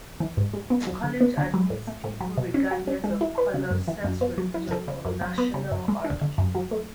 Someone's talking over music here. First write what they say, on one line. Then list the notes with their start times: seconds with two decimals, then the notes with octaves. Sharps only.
The College admits people regardless of color, sex, religion, or national origin.
0.20 E3
0.37 G#2
0.54 G#3
0.70 B3
0.87 F#3
1.04 D3
1.21 B3
1.37 D3
1.54 F#3
1.70 A2
1.87 A3
2.04 A2
2.21 F#3
2.37 B2
2.54 C#4
2.71 F#4
2.87 C#4
3.04 G#3
3.21 E4
3.38 B4
3.54 C#3
3.71 F#2
3.88 E3
4.04 F#2
4.21 B3
4.38 F#3
4.54 E4
4.71 A4
4.88 C#3
5.05 F#2
5.21 F#3
5.38 B3
5.54 C#3
5.71 F#2
5.88 G#3
6.05 D4
6.21 D3
6.38 F#2
6.55 F#3
6.71 A3